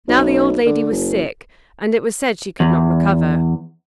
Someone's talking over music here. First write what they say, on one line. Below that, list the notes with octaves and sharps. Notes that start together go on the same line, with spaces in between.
Now the old lady was sick, and it was said she could not recover.
B1
D3
F#1
E2